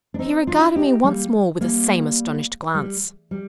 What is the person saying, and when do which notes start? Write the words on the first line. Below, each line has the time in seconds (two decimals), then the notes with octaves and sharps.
He regarded me once more with the same astonished glance.
0.14 D4
0.19 C4 D#4
0.47 D4 F4
0.76 D#4 G4
1.04 G3 A#3
1.61 G3 A#3
2.75 G3
3.31 G3